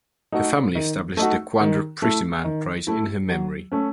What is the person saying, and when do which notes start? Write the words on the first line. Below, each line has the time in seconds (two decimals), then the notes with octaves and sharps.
Her family established the Quandra Prettyman Prize in her memory.
0.32 A3 D#4 F#4
0.75 D#3
1.17 A3 D#4 F#4
1.60 D#3
2.02 A3 E4
2.44 D#3
2.87 A3 E4
3.29 F#3
3.72 A3 C#4